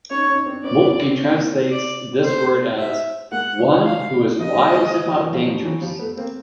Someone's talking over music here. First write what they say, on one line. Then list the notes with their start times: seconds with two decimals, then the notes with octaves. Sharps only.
Moltke translates this word as "one who is wise about dangers".
0.10 C#4 D#4 C#5
0.28 C#4 D#4
0.46 C4 D4
0.64 B3 C#4 D5
0.81 B3 C#4
1.00 C4
1.14 C#4
1.27 A#3 C4
1.72 D5
2.25 A3 B3 C5
2.78 E5
3.31 G#3 A#3 F#5
3.58 F#3 G#3
3.71 E3 F#3
3.85 F5
4.39 F3 G3 D#5
4.56 F#3 G#3
4.75 F#3 G#3
5.05 F3 G3
5.19 E3 F#3
5.33 F3 G3
5.42 F#3
5.46 F3 G3
5.64 E3 F#3
5.82 F3 G3
5.99 A3 B3
6.17 A#3 C4